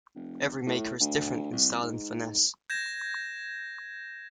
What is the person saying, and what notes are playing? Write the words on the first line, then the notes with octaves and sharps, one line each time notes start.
Every maker is different in style and finesse.
F1
A2
D2
C2
G#2
G6 G#6 A#6 E7